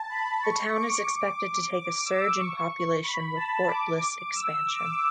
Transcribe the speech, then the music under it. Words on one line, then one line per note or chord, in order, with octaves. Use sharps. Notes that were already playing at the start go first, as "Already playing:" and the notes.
The town is expected to take a surge in population with Fort Bliss expansion.
Already playing: A5
B5
C#6
D6
D6
E6
C#6
B5
A5
D6
E6
D6